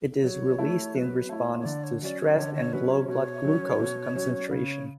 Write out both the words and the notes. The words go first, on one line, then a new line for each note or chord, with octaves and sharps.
It is released in response to stress and low blood-glucose concentration.
F#3 C#5
A3 E4
F#3 B4
A3 E4 C#5
C#5
D3 D5
C#5
F#3 C#4 D5
C#5
D3 C#5
C#5
F#3 C#4 B4
C#5
B2 C#5
F#3 C#4
B2
F#3 C#4
D5
C#3 C#5